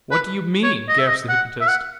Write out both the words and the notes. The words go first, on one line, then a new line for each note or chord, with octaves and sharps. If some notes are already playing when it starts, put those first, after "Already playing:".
"What do you mean?" gasped the hypnotist.
B4
C#5
D#5
E5
D#5
F#5
E5
F#5